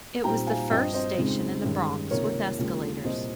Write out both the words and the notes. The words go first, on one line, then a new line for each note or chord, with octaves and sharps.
It was the first station in the Bronx with escalators.
A#2 G3 C4 D#4 G5 A#5
F5 G#5
G2 F3 C4 D#5 G5
C5 D#5
F2 C#3 G#3 C4 D#4
G2 D#3 G#3 C#4
C#2 C3 D#3 A#3 A#4 C#5
D#2 C#3 F3 G#3 D#4
C2 A#2 G3 C5 D#5